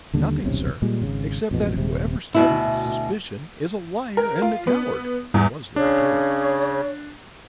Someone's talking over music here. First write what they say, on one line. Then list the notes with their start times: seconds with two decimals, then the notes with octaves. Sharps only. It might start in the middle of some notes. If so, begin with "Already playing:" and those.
"Nothing, sir, except that whoever started the suspicion, is a liar and a coward!" was the retort.
0.14 D#2 D3 G3
0.44 D#1 B1 C3 C#4
0.82 A#2 G3 G#3
1.02 G#1 C#3
1.51 A1 F2 B2
1.77 D#1 C3
2.35 D2 B2 E4
4.17 A#4
4.42 F4
4.67 B3
5.34 E2 G#2 G3
5.76 C#3 D4 C#5